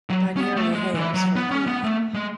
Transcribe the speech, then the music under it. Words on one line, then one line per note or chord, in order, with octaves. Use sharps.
Bagheri hails from Pune.
F#3
C#4
B3
A3
G#3
E3
F#3
B3
C#4
B3
A3
G#3